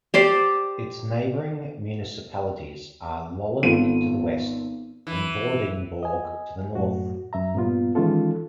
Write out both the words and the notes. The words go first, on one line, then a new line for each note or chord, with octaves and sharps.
Its neighboring municipalities are Lolland to the west and Vordingborg to the north.
G4 C5 D5
G#1 B3 F4 A4 D#7
E3
D#5 G#5
F#2 A2 F#4
F#2 E5 A#5
G2 A#2 B3 F4
D#3 E3 G#3 C#4 F4 A4